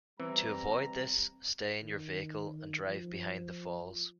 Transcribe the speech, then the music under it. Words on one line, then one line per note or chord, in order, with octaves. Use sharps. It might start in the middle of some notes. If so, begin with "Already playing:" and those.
To avoid this, stay in your vehicle and drive behind the falls.
E3 G3 C4 A#5
D#3
F3